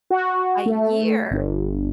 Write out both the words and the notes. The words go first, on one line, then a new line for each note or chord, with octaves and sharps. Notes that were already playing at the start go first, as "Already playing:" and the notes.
A year.
F#4
A3
G1